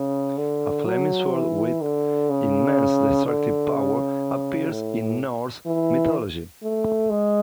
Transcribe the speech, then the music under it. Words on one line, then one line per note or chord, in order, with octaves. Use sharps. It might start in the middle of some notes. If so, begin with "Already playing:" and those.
A flaming sword with immense destructive power appears in Norse mythology.
Already playing: C#3
D3
F#3
E3
D3
C#3
D3
C#3
A2
E3
A3
G#3